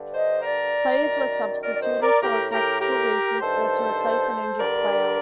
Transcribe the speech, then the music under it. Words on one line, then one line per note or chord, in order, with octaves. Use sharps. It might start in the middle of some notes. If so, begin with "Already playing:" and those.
Players were substituted for tactical reasons or to replace an injured player.
Already playing: G2 D3
C5 D#5
A#4 D5
F#2 D#3
A#4 D5
D5
C5 D#5
A#4 D5
A2 G4 A#4
G4 A#4
G4 A#4
G2 D#3 A4 C5
G2 D3 A#4 D5